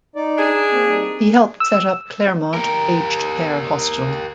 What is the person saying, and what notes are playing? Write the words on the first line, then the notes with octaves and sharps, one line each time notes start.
He helped set up 'Claremont' aged care hostel.
D#4 D5
D4 G#4
A#3 C4
G3 D#4
E6
G4 A#4